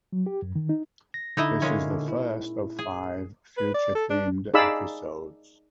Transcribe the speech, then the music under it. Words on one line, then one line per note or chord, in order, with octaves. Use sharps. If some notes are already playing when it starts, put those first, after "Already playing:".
This is the first of five future-themed episodes.
F#3
G4
F#2
D#3
D#4
A#6
D3 D#4 E4 D#5
A#2 G#3 C#4
D3
E4
G#4
B4
D5
A4
D4
D#4 G#4 D5 F5 B5 E6